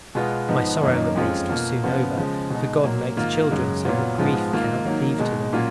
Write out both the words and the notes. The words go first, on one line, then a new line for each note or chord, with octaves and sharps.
My sorrow at least was soon over, for God makes children so that grief cannot cleave to them.
B2 G#3 B3 F4
G#2 F3 B3 D#4
F#2 D#3 A#3 D#4
F2 F3 G#3 C#4 F4
B2 A#3 F4
C#3 F3 B3 F4
C#3 F3 G#3
B2 G#3 D#4
A#2 F#3 A#3
G#2 D#3 A#3 F4
F#2 C#3 G#3
A#2 F#3 B3 F4
G#2 F3 G#3 B3 F4
G#2 D#3 A#3 F4
D#3 F#3 A#3
B2 G#3 D#4
A#2 F#3 A#3 C#4 F4